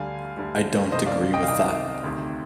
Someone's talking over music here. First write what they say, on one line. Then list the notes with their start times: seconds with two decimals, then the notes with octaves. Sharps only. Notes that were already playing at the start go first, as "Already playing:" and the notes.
I don't agree with tha.
Already playing: D2 D3 G3 F5 G#5
0.37 D2 D3 G3
0.92 C2 C3 D#3 C5 D#5
1.06 D5 F5
1.33 D#5 G5
1.43 F5
1.47 C2 C3 D#3 D#5 G5
2.04 D2 C3 D#3